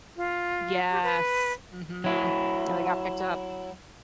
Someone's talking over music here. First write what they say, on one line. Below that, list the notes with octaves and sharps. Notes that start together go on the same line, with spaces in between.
Yes, mhm, and they got picked up.
F4
G4
B4
F#3 E4